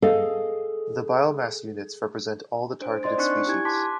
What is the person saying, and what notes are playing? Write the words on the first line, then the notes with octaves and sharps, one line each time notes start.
The biomass units represent all the targeted species.
G#4 A4 D#5 F5
D4 C5 D7
C5 D5 D#5 C6 A6
C4 D4 D#4 C#6 F#6 C#7
E4 G4 G#5 G#6
A5 C6 D6 F#6 B6